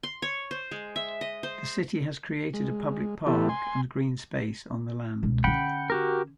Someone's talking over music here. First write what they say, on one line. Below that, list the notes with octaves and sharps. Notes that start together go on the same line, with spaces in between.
The city has created a public park and green space on the land.
C6
C#5
C5
G#3
E5
D#5
C5
G#3
E3 B3 E4 G4 A4
G#5 C6
C#2 B2
D3 C#4 F#5 G5 B5
F#4 G4 A#4